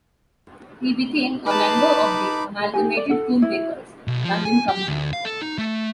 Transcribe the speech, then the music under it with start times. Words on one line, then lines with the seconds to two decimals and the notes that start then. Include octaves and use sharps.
He became a member of the Amalgamated Toolmakers' London committee.
1.46 D#4 B4 A5 B5 D6
2.74 D#4 G4 G#5
2.97 D5
3.10 A4 F#5
3.42 E4
4.07 B1
4.25 F3
4.45 G#5
4.69 G4
4.88 D2
5.13 F5
5.25 A4
5.42 D#4
5.58 A3